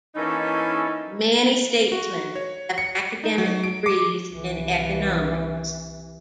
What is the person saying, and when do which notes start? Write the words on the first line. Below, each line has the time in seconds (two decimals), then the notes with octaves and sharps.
Many statesmen have academic degrees in economics.
0.16 E3 A#3 C#4 D#4 E4 A4
1.92 F#4
2.36 C#5
2.78 C#7
3.24 D#4
3.38 F#3
3.64 D7
3.86 D6
4.31 C2 E3